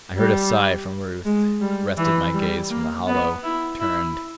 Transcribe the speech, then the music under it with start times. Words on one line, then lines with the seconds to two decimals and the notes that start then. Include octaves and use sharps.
I heard a sigh from Ruth; wrested my gaze from the hollow; turned.
0.16 G3
1.25 G#3
1.61 G3
1.97 E3
2.34 G3
2.70 A#3
3.07 B3
3.43 E4
3.80 E4